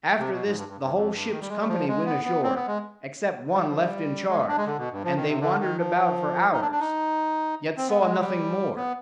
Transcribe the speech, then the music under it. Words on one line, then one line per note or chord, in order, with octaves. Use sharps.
After this the whole ship's company went ashore, except one left in charge, and they wandered about for hours, yet saw nothing more.
C3
B2
G#2
G2
G2
G2
F2
G2
D#3
G3
G#3
G3
F3
G#3
B3
B3
C4
B3
G#3
G3
D#3
F3
G3
G#3
B3
D4
G#3
D3
B2
G2
F3
D#3
C3
D3
D#3
F3
D#4
D4
D4
D#4
C4
B3
G#3
G3
B3